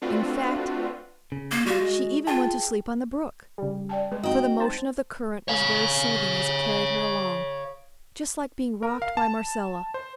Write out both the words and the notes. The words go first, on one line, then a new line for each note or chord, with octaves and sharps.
In fact, she even went to sleep on the brook, for the motion of the current was very soothing as it carried her along--just like being rocked by Marcella.
A3 C4 D4 F4 F#4 B4
C#3
A#3
G3 F4 F#4
G#3
F4 G#4 G5 A5
C#3 G3
D5 G5 A5
G#3 B4
C4 D#4 F#4 D#5 G5
C5 A5
C#5 F5
A#4
F5
A5
C5